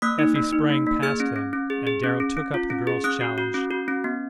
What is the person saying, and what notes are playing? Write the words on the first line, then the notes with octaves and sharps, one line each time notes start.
Effie sprang past them, and Darrow took up the girl's challenge.
A#3 D#6 F#6
D#4
A#3
D#4
A#3
A#3
G#4 F6 G#6
C#4
C#4
C#4
G#4
G#4
C#4
C#4
C#4
F4
C#4
G#4
C#4 D#6 F#6
F#4
F#4
C#4
F#4
C#4
B3